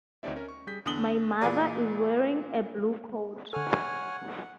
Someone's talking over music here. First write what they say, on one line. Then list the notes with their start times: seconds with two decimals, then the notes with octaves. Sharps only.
My mother is wearing a blue coat.
0.23 D2 C4 D#4 C#5 D5 E5
0.36 C#4 A#4
0.49 C#6
0.67 G3 G#4 G6 B6
0.86 E2 D3 D#6 F#7 G7
1.41 A#2 E3 G#4 B4 D5
3.53 D3 A4 C#5 F#5 G#5 F6